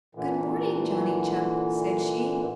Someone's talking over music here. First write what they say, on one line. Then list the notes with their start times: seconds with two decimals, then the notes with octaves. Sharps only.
"Good morning, Johnny Chuck," said she.
0.15 A#2 D3 E3